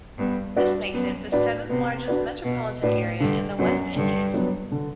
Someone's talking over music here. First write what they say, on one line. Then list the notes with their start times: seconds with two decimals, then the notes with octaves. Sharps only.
This makes it the seventh largest metropolitan area in the West Indies.
0.18 G2 B3
0.56 G2 D4 F#4 B4 D5
0.94 F#2 B3
1.32 A2 D4 F#4 B4 D5
1.70 C3 B3
2.08 D4 F#4 B4 D5
2.45 B2 B3
2.83 A2 D4 F#4 B4 D5
3.20 G2 D3
3.58 F#2 F#3 B3 D4
3.96 G2 D3
4.34 F#3 B3 D4
4.72 D3